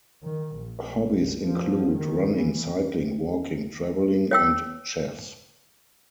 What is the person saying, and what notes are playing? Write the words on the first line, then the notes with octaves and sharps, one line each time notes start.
Hobbies include running, cycling, walking, traveling, and chess.
D#3
A#1
F3
D#3
E3
C#5 G5 E6